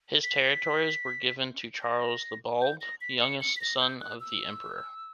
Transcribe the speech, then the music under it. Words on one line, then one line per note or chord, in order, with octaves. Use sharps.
His territories were given to Charles the Bald, youngest son of the Emperor.
B6
G6
A#6
G6
A#6
B6
C#7
C#7
B6
A#6
G6
F#6
E6